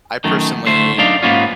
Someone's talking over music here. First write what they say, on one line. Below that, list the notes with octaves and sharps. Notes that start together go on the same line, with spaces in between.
I personally
F#2 D#3 A3
D2 A3 C5
F#2 D4 D#4 D5 F5
G#2 C3 A#3 B3 C#4 F4